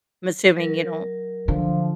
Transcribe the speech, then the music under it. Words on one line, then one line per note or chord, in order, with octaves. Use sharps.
I'm assuming you don't
F#3 A#4
D3 F3